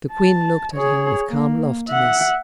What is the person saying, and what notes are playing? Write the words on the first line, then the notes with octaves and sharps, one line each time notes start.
The queen looked at him with calm loftiness.
A5
G#4 C#5
A#3
E5 F#5